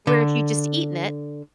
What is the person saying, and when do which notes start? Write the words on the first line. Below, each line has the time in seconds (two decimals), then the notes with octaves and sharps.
where if you'd just eaten it
0.07 D3